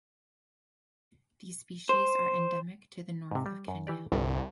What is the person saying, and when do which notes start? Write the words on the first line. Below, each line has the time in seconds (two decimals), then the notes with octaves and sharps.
These species are endemic to the north of Kenya.
1.89 C5
3.31 G#2 C3
3.46 G3
3.68 F#2
3.87 E3 G4 D5
4.12 G1 C2 D5 A#5